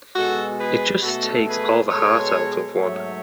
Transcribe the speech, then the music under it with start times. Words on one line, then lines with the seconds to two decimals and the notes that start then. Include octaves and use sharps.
It just takes all the heart out of one.
0.16 B2 G#3 F#4 A4
0.59 G#4 B4
1.03 B2 A3 F#4 A4
1.47 G#4 B4
1.91 B2 G#3 A4 C#5
2.79 G#2 F#3 A3 C#5 E5